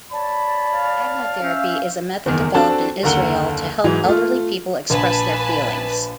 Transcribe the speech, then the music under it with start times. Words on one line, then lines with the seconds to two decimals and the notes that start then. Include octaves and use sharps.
Agnotherapy is a method developed in Israel to help elderly people express their feelings.
0.12 C#5 D5 A5 B5
0.75 F5
1.43 C#4 E5 E6 G6
2.26 F#1 E2 D#3
2.54 C4 D4 F#4 A4 A5
3.03 F#1 D#2 D3 A#4 F#5 G7
3.84 G#2 E3 F#3
4.05 A3 F4
4.90 A#1 B4 G#5 A5